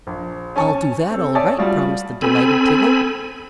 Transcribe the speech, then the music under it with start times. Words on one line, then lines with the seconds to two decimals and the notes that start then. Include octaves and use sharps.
"I'll do that, all right," promised the delighted Tiggle.
0.07 A#1
0.56 C#4 G#5 A5 C#6
1.10 C4 A4
1.35 C#5 D5 E5 A5 D#6
1.59 G3 F4 F#4
2.22 C4 A4 G#5 B5